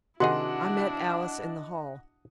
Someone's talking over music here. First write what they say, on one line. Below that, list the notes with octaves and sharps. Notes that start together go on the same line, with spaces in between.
I met Alice in the hall.
C3 D#3 D4 E4 F#4 G#4 D#5 F#5